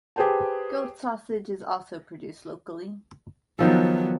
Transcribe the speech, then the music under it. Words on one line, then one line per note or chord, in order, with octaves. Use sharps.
Goat sausage is also produced locally.
G4 G#4 B4 C5 G5 A5
D#3 F3 F#3 B3 A4